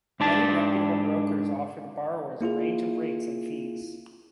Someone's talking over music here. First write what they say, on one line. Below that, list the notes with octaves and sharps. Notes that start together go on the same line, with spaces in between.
Many reputable brokers offer the borrowers a range of rates and fees.
G#2 D4 A5
A#3 E4 F4 G#4